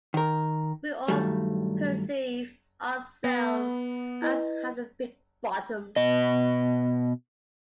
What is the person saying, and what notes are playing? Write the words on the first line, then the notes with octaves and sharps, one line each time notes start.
We all perceive ourselves as having big bottoms.
D#3 A#4
G2 D#3 F#3 G3 A3
B3
E4 B4 D#5
B2 D#5